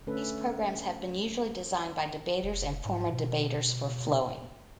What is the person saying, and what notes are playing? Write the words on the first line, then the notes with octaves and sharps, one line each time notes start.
These programs have been usually designed by debaters and former debaters for flowing.
D3 A3 C#4 A4 B4
F1
G#2
B2